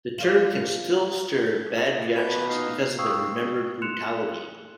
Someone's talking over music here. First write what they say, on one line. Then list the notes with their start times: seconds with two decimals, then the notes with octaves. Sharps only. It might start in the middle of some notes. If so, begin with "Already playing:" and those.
The term can still stir bad reactions because of their remembered brutality.
0.18 F3 F4 D5
2.15 B2 B4 G6
2.49 D#4 F5
2.98 F5 G5 C#6 D#6 E6 C7
3.82 C6 F#6 C#7 E7 F7